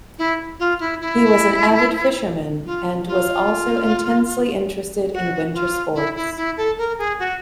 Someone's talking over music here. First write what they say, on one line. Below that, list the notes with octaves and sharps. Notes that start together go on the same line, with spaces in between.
He was an avid fisherman, and was also intensely interested in winter sports.
E4
F4
E4
E4
F4
F4
F#4
F4
E4
E4
E4
A4
A#4
G#4
F#4